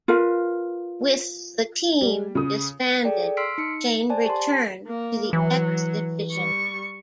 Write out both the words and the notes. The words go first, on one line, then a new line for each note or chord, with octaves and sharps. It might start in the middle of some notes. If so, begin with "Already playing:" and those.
With the team disbanded, Shane returned to the X Division.
F4 A#4 B4 F5
G3
C#3 D#6
G#4 A4 D5 G5
C6 E6 F6 B6 C7 D7
D#4 C#7
C5 D5 G#5 A5
G4 A5 C6
A#3
E3 F#3
G3 C#6